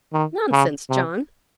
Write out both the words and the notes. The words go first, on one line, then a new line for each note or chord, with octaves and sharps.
'Nonsense, John.
D#3
C#3
C3